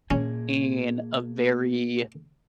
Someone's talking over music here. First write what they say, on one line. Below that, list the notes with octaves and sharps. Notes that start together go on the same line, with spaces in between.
in a very
A#2 A#3 C#4 G#4